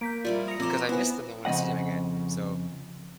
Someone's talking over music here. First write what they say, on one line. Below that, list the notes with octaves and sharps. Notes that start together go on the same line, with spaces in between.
because I miss them; I wanna see 'em again. So,
A#3 G6 B6 D7
F3 G3 E4 F4 A#4 D5
A#5 D#6 C#7
F3 C4 C5 D6
B3 E4 B4 C5 G#5
F2 C#3 G#3 D#5 F#5